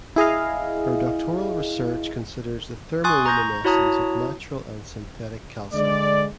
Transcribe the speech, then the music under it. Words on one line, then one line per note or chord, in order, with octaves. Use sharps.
Her doctoral research considers the thermoluminescence of natural and synthetic calcite.
E4 G#4 D#5 F5
G#5 C6 C#6 D#6 F#6 A6
A#5 C#6 G6 A#6
E4 F#4 C#5 A5 A#5 D#6
D3 G#3 D5